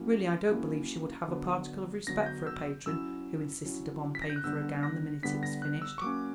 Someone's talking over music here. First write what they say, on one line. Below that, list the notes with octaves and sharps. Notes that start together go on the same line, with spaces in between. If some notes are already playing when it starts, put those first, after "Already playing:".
Really, I don't believe she would have a particle of respect for a patron who insisted upon paying for a gown the minute it was finished.
Already playing: F#3 A#3 C#4 E4
F#3 A#3 C#4 E4
D3 F#3 B3 D4
D3 F#3 B3 D4 A#6
A#6
G6
E6
F#3 C#4 E4 E6
F#3 C#4 E4
B6
A#6
G6
F#6
D3 G3 B3 D4 E6
A#6
D3 G3 B3 D4 B6
A#6
F#6
E6
C#6
F#3 A#3 C#4 D6